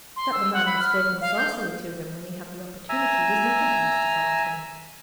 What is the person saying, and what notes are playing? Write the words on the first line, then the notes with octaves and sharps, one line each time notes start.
That the man had spoken saucily to him when he had the opportunity, was nothing to Mr. Thornton.
C6
E6
F#5
B5
F6
F5
G6
E5 G#5 A#5 E6